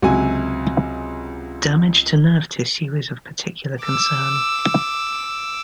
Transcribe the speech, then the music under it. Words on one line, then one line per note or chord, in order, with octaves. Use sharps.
Damage to nerve tissue is of particular concern.
C#2 C3 F#3 F#4 G#5
D6 E6